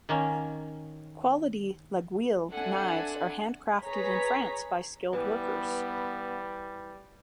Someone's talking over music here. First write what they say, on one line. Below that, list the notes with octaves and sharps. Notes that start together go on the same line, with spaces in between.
Quality "laguiole" knives are handcrafted in France by skilled workers.
D#3 A#3 C#4
C4 D4 A4 E5 F#5 G#5
G#4 B4 C#5 A#5 B6
E3 G3 B3